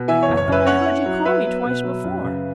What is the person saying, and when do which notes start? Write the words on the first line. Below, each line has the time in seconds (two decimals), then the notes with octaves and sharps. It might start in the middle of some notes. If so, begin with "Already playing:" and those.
I thought I heard you call me twice before!'
Already playing: B2
0.08 E3 E5 G#5
0.23 C#5
0.28 F#1
0.37 C#5
0.48 F#2 B4 E5
0.66 C#4 C#5 F#5
0.86 E4
1.06 F#3
1.25 F#3 B4 E5
1.44 B3
1.65 B2
1.84 F#3
2.04 F#2
2.24 C#3